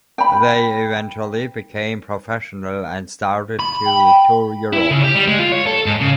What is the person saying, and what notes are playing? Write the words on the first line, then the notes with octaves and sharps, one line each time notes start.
They eventually became professional and started to tour Europe.
G5 B5
B5
G5
E4
C#3
G4
G3
G#3
F4
C#5
A4
G#2
C#3